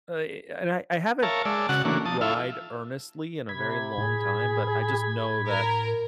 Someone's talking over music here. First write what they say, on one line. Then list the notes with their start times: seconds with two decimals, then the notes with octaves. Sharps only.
uh, eh, and I I haven't tried earnestly in a very long time, but I just know that
1.23 A#4 C#5 E5 F5 A5
1.45 G#3 D5 A5 E6
1.69 C#3 F#4 F#5
1.85 E3 A3 A#3 C#4 D4 F#4
2.06 F3 A5 D#6
2.21 E4 F4 A4 E5 F5
3.49 C3 B5 G#6
3.98 A2 G#4
5.48 A#4